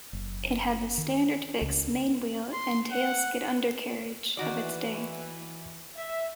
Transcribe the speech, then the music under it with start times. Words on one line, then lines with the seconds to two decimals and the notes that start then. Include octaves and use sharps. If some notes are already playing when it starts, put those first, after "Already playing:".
It had the standard fixed main wheel and tail-skid undercarriage of its day.
0.13 F#1
0.98 D#3
1.61 C#2
2.53 C6
2.91 F#5
4.37 D#3 E3 F#4 D5
5.95 E5